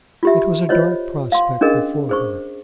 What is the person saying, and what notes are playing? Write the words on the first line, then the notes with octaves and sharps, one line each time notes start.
It was a dark prospect before her.
F4 G4 E5
F4 C5 C#5 D#5
F5 C6
C#4 D4 G#4 A#4 D#5
G#4 C5 C#6